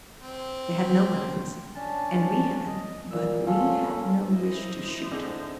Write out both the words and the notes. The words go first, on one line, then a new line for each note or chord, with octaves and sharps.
They had no weapons, and we had, but we had no wish to shoot.
C4
C#4 D4 A5
D#5
A#2 E6
C#4 F4 A4
E4 C5 D#5
G#2 D3 C4 G#4 G6